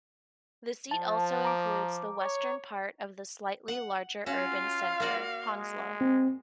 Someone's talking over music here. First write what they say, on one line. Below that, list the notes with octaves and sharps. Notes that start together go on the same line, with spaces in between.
The seat also includes the western part of the slightly larger urban centre, Hounslow.
F3 A5
A#5 D6
C#5
F#5
C#4 F4 F#4 F5
A#3 F#4 D5
G#3
C4